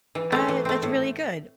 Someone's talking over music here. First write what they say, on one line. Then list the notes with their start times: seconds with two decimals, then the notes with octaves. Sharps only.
Uh, that's really good.
0.15 E3
0.32 A3 C4
0.48 E3
0.65 A3 C4
0.82 A2